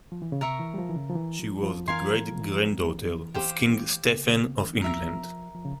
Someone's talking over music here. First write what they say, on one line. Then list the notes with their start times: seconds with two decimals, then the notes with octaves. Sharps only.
She was the great-granddaughter of King Stephen of England.
0.12 F3
0.22 E3
0.32 C#3
0.41 C3 A#4 E5 A#5 C#6
0.60 E3
0.74 G3
0.78 F3
0.89 E3
0.96 C#3
1.09 F3
1.15 E3
1.39 F3
1.63 F3
1.88 E3 A#4 F5 G#5 C6
2.02 F3
2.15 E3
2.27 F3
2.40 E3
2.55 F3
2.68 E3
2.80 F3
2.94 E3
3.06 F3
3.20 E3
3.34 G4 C5 F5
4.08 C#3
4.27 C#3
4.45 C#3
4.63 E3
4.81 F3 A#4 E5 A#5
5.55 F3
5.65 C#3